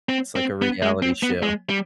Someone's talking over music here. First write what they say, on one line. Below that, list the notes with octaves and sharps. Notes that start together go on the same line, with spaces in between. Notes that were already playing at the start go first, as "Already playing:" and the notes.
It's like a reality show,
C4
C4
B3
G#3
C4
B3
G#3
G3